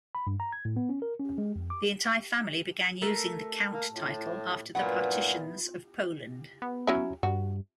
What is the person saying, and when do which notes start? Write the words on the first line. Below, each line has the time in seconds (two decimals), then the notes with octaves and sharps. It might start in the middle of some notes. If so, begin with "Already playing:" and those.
The entire family began using the Count title after the partitions of Poland.
0.15 B5
0.27 G2
0.40 A#5
0.52 G#6
0.65 A2
0.77 B3
0.89 C#4
1.02 A#4
1.20 C#4
1.38 G#3
1.56 F2
1.70 D6
3.02 A3 A4 A#4
3.72 A#3
3.92 A2
4.75 G2 A#2 F#3 B3 E4 B4 F#5
6.62 B3
6.87 F#3 C#4 E4
7.23 G2 F#4